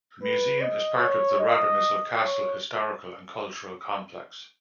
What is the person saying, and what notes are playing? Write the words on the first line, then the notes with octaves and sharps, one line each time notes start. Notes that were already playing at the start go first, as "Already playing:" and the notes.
The Museum is the part of the Radomysl Castle historical and cultural complex.
B4
D#5
C#5
D#5
C#5